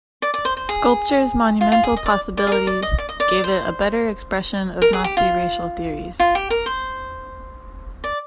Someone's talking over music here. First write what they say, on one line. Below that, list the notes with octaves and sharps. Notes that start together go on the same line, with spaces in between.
Sculpture's monumental possibilities gave it a better expression of Nazi racial theories.
D5
D5
C5
C5
G#4
F4
F4
G#4
D#5
D5
D5
G#4
A#4
D5
D#5
D5
D#5
D5
C5
A#4
G#4
G4
F4
F4
G4
A#4
C5
D5